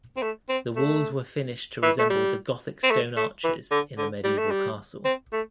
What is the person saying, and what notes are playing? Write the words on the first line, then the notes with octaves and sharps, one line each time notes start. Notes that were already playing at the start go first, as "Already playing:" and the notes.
The walls were finished to resemble the Gothic stone arches in the medieval castle.
C4
A3
C4
A3
E3
A3
G3
C4
A3
A3
E3
D3
D3
G3
A3
G3
C4
A3